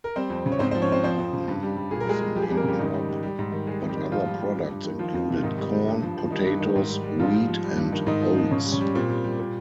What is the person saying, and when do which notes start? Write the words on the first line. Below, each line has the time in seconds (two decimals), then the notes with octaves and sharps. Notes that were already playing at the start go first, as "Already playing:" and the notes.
Cotton was the main crop, but other products included corn, potatoes, wheat, and oats.
0.04 A#4
0.16 G3 C4 C5
0.30 F2
0.46 C#3
0.52 C#5
0.59 G#2 C4 C5
0.71 C4 C5
0.75 F3
0.82 C#4 C#5
0.89 F3 C4 C5
1.04 F3 C4 C5
1.19 F2
1.33 C#3
1.48 G2
1.63 G3
1.77 G3
1.91 A#2 G#4
2.00 A#4
2.07 G3 G#3 G#4
2.21 G3
2.35 F3 G3 G4
2.42 G#4
2.47 G3 G4
2.51 F2
2.57 A#3 A#4
2.64 C#3 G3 G4
2.79 G#2 D#3 D#4
2.94 G3
3.09 G3
3.23 G3
3.39 G#2
3.52 D#3
3.67 G3 G#3 G#4
3.82 F2
3.89 G3 G4
3.96 D#3
4.11 G#2 F3 F4
4.26 G3
4.40 G3
4.56 G3
4.70 G2
4.85 D#3
4.99 F3 F4
5.13 F2
5.29 C3
5.37 F4
5.43 G#2 D#3 D#4
5.58 G3
5.73 G3
5.88 G2
6.02 F3
6.17 F3
6.31 D#3 G3 D#4
6.46 G2
6.61 D#3
6.76 G#2
6.90 G3
7.04 G3
7.19 G#2 F3 F4
7.34 F3
7.48 F3
7.64 G3
7.77 G2
7.92 D#3
8.07 G#2 D#3 D#4
8.21 F3
8.36 F3
8.51 G#2 C#3 C#4
8.65 G3
8.72 C#3 C#4
8.81 G3
8.95 A#2 C4
9.10 G3
9.24 G3
9.39 A#2